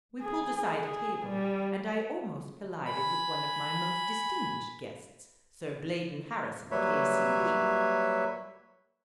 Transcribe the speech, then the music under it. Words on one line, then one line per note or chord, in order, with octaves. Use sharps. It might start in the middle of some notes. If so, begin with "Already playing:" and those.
We pulled aside a table and I almost collided with one of my most distinguished guests--Sir Blaydon Harrison, K.C.B.
G#4
G#4
G3
G#5 B5
F#3 G3 A#3 B4 C#5 E5